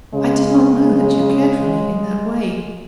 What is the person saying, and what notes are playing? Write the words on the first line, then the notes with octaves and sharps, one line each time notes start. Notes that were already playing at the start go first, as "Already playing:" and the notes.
I did not know that you cared for me in that way.
C#3 G#3